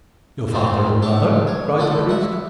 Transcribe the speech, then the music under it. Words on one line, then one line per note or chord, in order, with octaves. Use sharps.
"Your father and mother?" cried the priest.
A#2 D#3 A3 C4
D4 G4 E5 C#6
C#5
A#1 E2 A3 A4 F#5
E5 F#5